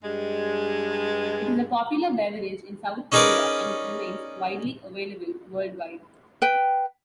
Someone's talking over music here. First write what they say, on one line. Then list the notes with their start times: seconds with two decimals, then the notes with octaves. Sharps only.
It is a popular beverage in South Korea, and it remains widely available worldwide.
0.03 G2 G#3
3.12 C#4 D#4 G#4 A#4 B4 D5
6.42 B4 G5